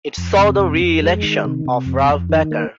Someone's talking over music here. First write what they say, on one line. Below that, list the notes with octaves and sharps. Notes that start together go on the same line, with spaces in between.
It saw the reelection of Ralph Becker.
F2
C3
F2
F2
G#3
D#3
C3
C3
F2
F2
D#3
A#3